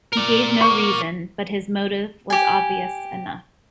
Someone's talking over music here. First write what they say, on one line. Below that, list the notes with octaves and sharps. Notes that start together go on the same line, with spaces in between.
He gave no reason, but his motive was obvious enough.
A#4 D5
C#6
G4 G#5